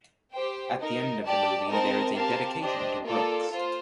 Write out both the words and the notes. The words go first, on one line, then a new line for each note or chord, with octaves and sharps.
At the end of the movie there is a dedication to Brooks.
G4 C5 G5
D#4 A#4 D#5
G4 D5 A5
C4 D#4 A#4 D#5 A5
C4 G4 A#4 F5 A5
D4 G4 C5 D#5
A#3 F4 A4 D5 A5
F4 C5